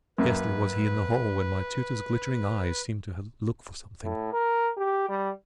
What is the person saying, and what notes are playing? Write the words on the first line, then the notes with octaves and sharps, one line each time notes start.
Scarcely was he in the hall when my tutor's glittering eyes seemed to look for something.
F#2 A#3 B4
A2
A#4
G4
G3